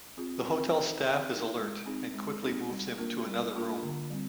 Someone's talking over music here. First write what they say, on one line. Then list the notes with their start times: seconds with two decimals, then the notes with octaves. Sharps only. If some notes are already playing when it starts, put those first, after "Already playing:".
The hotel staff is alert and quickly moves him to another room.
0.17 C4 F4 G#4
0.45 C4
0.73 D#4 A#4
1.01 C4
1.30 D#4 A#4
1.58 G#3
1.86 C4 D#4 G#4
2.14 G#3
2.42 C4 D#4 G#4
2.70 G3
2.98 A#3 D4 F4 A#4
3.26 G3
3.54 A#3 D4 F4 A#4
3.82 D3
4.10 G3 C4